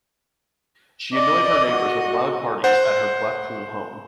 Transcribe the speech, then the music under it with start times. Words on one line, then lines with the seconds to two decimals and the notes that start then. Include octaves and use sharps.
She annoyed her neighbours with loud parties at her Blackpool home.
1.14 D5 D#5
1.71 F#4
2.64 C5 F#5